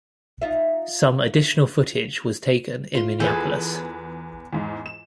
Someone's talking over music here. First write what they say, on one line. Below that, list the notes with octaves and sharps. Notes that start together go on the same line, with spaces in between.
Some additional footage was taken in Minneapolis.
D#4 F4 E5
F4 C6
E2 G#4 A4 B4 C5
E2 G#2
E7